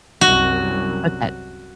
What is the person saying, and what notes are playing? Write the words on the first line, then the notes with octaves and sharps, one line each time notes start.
What's that?
C2 F#2 F#4